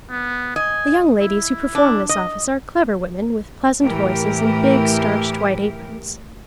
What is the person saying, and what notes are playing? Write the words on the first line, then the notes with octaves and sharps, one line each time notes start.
The young ladies who perform this office are clever women with pleasant voices and big, starched, white aprons.
B3
D#5 G#5
E4
D4
D#5
A2 E3 A3 G4 A#4